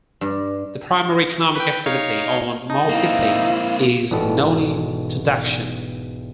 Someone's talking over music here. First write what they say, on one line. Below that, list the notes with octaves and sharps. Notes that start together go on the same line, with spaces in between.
The primary economic activity on Maupiti is noni production.
G2
B4 G5
D#4 C#5 F5
D#4 A5
A#3 C4 E4 F5
E1 G#2 B2 A4